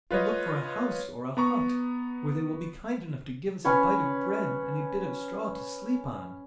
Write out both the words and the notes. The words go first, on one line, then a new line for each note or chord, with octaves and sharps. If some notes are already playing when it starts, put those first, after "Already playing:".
"To look for a house or a hut, where they will be kind enough to give us a bite of bread and a bit of straw to sleep on."
F4 B4 C#5 D#5
B3 A#5 C#6
C#4 B4 C#5